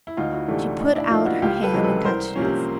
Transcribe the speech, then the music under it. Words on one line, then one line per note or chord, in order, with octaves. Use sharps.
She put out her hand and touched his.
E4
D2 D#4 F4
E4 F#4
C3 E3 A3 D4
D4
A2 D#4
D4 E4
F3 A#3 D#4 F4
E4 F#4
C#2 F4 G4
A4 B4
C3 E3 G#3 C#4
A4 B4
C2 A#4 C5
C3 F3 A#3 C#4